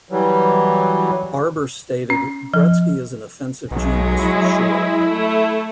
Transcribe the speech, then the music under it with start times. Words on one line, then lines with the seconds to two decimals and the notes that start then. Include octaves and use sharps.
Arbour stated, Gretzky is an offensive genius for sure.
0.11 E3 F#3 G3
2.10 C#4
2.54 F3
3.71 B1 F#3 G#3
4.19 E4
5.07 A3